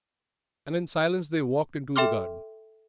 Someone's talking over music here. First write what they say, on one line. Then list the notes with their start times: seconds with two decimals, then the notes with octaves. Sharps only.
And in silence they walked into the garden.
1.96 A4 E5 G5 C6 D6 F6